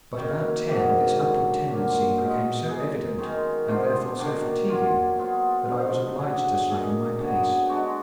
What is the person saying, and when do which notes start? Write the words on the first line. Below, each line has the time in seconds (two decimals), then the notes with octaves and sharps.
But about ten this upward tendency became so evident, and therefore so fatiguing, that I was obliged to slacken my pace.
0.16 F#2 D#3 A#3
0.67 G#2 D#3 F#3 D4
1.17 F#2 D3 F#3
1.67 A#2 F#3 A#3 D4
2.17 B2 G#3 D#4 A#4
2.68 A#3 D#4 G#4
3.18 F#2 D#3 G#3
3.68 F3 B3 D4 F4
4.18 F#2 D#3 A#3 D4
4.68 F#3 A#3 F4
5.18 F#3 B3 F4
5.69 D3 F3 B3 D#4
6.18 F#3 D4 G#4 D5
6.69 A#3 D4 G#4 D#5
7.19 F#2 D3 F#3 B3
7.69 G#3 B3 D4 F#4